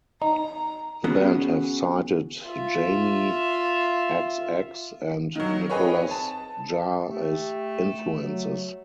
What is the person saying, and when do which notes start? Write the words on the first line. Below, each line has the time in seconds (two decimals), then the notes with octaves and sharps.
The band have cited Jamie xx and Nicolas Jaar as influences.
0.22 D#4 A#5
1.04 B3 C#4 F#4 G#4
2.46 F4 E5
5.35 D#3 F#3
5.70 C4 D#4 G#4 B4 C#5
6.11 A5
7.09 A3 G4
8.21 F#3